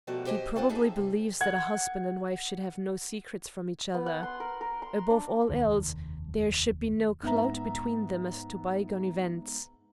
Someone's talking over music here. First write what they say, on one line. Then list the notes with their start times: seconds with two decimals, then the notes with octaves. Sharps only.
She probably believes that a husband and wife should have no secrets from each other. Above all else, there should be no cloud between them as to bygone events.
0.07 B2 F3 G3 A3 A#3 F#4
0.26 G4 C5 D#5 E5 G#5
0.56 G3 C4 F4 C5 F#5
0.69 D#4 E4 G#4 A4 E5
0.96 C3
1.41 F#5 G#6
3.94 B3
4.06 F#5
4.23 C6
4.40 A#4
4.61 A#4
4.82 C6
5.10 D4
5.49 F1 D#2 D#3
7.23 G#2 B3 E5 A#5